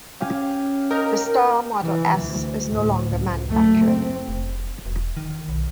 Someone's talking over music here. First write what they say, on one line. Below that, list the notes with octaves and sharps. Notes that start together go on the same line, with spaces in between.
The Star Model S is no longer manufactured.
C#4 G4 F5 G#5
D#4 A#4
E3
D2
D2 A2
C#2
F#1 A3
C4
F1
E1
D#3
B1